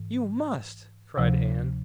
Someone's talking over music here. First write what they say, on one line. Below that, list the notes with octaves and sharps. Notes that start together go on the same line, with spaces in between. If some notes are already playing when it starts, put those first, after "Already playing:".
"You must!" cried Ann.
Already playing: G#2 E3
D2 C3 F3